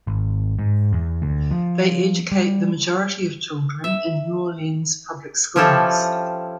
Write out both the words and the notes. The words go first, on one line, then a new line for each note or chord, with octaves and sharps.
They educate the majority of children in New Orleans Public Schools.
G#1
G#2
E2
D2
F3
G3
E5
F3 C#4 E4 G4 A4